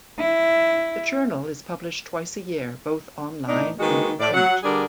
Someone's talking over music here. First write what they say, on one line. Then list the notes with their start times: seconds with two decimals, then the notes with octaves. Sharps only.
The Journal is published twice a year, both online and in print.
0.19 E4
3.48 A2 D4 D#4
3.80 D#3 G#3 A#3 F#4 B4
4.19 A2 D5
4.34 F#3 F#5
4.63 D3 G3 D4 G#4 A#4